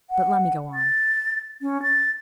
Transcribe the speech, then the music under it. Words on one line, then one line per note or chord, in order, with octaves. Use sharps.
But let me go on.
F#5
A6
C#4
A6